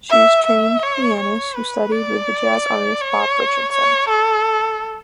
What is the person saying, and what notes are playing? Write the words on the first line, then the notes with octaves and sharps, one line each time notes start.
She is a trained pianist who studied with the jazz artist, Bob Richardson.
E5
E5
C#5
C#5
B4
D5
C#5
C#5
A4